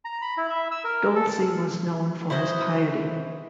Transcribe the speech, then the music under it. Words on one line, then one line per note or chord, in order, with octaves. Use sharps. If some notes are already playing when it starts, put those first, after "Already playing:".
Dolci was known for his piety.
A#5
B5
E4
E5
E6
A#4
A4
E4 F#4 C5 D#5